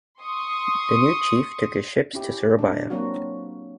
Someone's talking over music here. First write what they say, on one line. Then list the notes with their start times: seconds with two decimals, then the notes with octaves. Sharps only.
The new chief took the ships to Surabaya.
0.20 C6 C#6 D#6
2.13 C#4 E4 G4
2.59 D4
2.90 F#3 A#3 C4 F#4